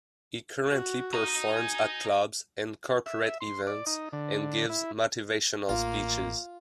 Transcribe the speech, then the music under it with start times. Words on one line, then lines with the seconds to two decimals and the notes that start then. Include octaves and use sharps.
He currently performs at clubs and corporate events and gives motivational speeches.
0.68 F#4
1.13 D#5 A#5
1.51 G#5
3.06 E5
3.41 C6
3.67 D5
3.86 D#4
4.13 D3
4.69 E4
5.69 A1 A#3 F4